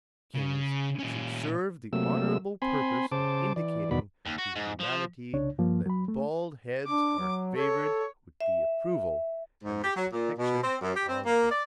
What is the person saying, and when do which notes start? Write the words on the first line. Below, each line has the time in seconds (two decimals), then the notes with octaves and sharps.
Kings should serve the honorable purpose of indicating to humanity that bald heads are favored with the approval and the protection of Divinity.
0.35 C#3
0.99 A#2 C#4
1.93 C3 F#3 A3 A#3 E6
2.62 C4 G#5 B5 C6
3.12 C#3 C5 A5 D6
3.56 E3 D5
3.91 E2 B2 D#3 F#4 D5 B5
4.26 D#2
4.39 F#4
4.56 G#2
4.80 F3
5.33 C2 C#3 D4 C#5
5.58 G2 F3 A#3
5.86 F#3 B5
6.08 A3
6.86 D4 D6
7.19 F#3
7.56 A4 C#5
8.41 E5
9.63 G#2
9.84 G4
9.96 F#3
10.12 A#2
10.39 B2
10.63 C4
10.82 F#2
10.96 G4
11.08 C4
11.25 A#3
11.51 D5